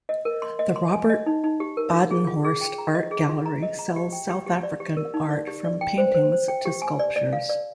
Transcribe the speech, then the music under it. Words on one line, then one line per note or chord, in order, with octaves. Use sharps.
The Robert Badenhorst Art Gallery sells South African art from paintings to sculptures.
D#5
A#4
C6
D#5
C6
G#5
D#5
D#4
D#4
G4
A#4
F4
G#4
F4
G#4
G5
A#5
D#5
G#4
F4
A#5
D#5
A#5
G4
G5
G4
G4
D5
G4
A#4
D#4
D5
G4
D5
G5
C5
C5
C5
G5
G4
G#5
D5
D5
F5
D5